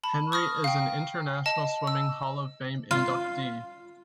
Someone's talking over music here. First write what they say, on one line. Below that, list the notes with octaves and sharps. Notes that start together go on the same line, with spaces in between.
Henry is an International Swimming Hall of Fame inductee.
A5 B5
C#6 D#6 F6 A#6
F5 G5
D#5 A5
E6
F4